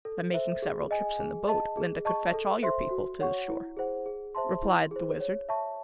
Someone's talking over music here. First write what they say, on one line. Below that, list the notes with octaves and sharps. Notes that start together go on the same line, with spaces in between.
"By making several trips in the boat, Glinda could fetch all your people to the shore," replied the Wizard.
A4
C5 E5
G#4
D#5 G#5
G#4
D#5 A5
G#4
D#5 A5 C#6
A4
C5 E5 C6
F#4
C#5 F#5 C#6
E4
G#4 C5 F#5
G#4
C5 E5 A5 C6
E4
G#4 C5
C#5
E5 A5 C#6